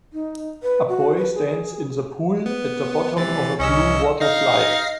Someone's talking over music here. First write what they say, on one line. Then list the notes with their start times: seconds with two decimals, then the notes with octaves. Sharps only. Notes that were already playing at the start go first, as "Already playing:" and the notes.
A boy stands in the pool at the bottom of a blue water slide.
0.13 D#4
0.63 B4
0.89 F#4
1.17 B4
1.35 G#4
2.46 B3
3.17 C3 E3 A6
3.59 C2 C#4 D#5 E6
4.20 D#4 F5 A#6 C7